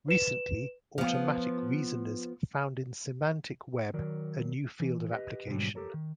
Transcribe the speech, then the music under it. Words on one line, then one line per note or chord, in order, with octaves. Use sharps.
Recently automatic reasoners found in semantic web a new field of application.
B4 E7
F3 B3
D#3 F#3 A#4 D5
E3
G4 B4 D#5
G#2 B2 D3 F#3 G3
G4 A4 A#4 C#5
D#3